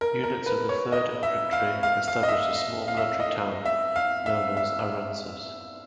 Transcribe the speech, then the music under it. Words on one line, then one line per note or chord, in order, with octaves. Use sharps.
Units of the Third Infantry established a small military town known as Aransas.
A#4
A#4
B4
C#5
D#5
E5
F5
F5
F5
D#5
E5
F5
E5
D#5
E5
F5
E5
E5